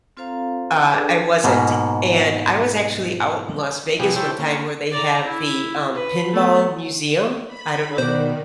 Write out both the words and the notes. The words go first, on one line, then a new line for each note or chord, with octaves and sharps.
uh, I wasn't. And I was actually out in Las Vegas one time where they have the, um, pinball museum, I don't know i
C4 F4 A4 C5 F5 A#5
D4 G#4 A4 B4 D5
G#2 B2 A#3
C3 F3 G4 G#4 B4
E4 G4 A4 C5 C#5 G5
A#3 C#4
D5 A#5
E4
B4
A3 B3
B5
B2 D#3 F#4 C5 D5